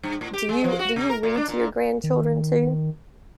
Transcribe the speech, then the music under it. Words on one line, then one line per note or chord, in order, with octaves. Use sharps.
Do you do you read to your grandchildren too?
G2
A2
G4
G#3
F3
F#4
C3
A#4
A#2
D4
A#2
D#3